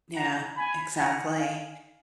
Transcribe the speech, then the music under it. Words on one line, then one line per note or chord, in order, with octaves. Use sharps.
Yeah, exactly.
F#5 A#5
G#5 B5
F#5 A#5
F5 G#5